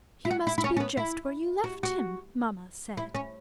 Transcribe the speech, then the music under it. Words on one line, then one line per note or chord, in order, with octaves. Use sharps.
"He must be just where you left him!" Mama said.
E4
F#4
E4
E4
C#4
C#4
B3
E4
F#4
F#4
E4
C#4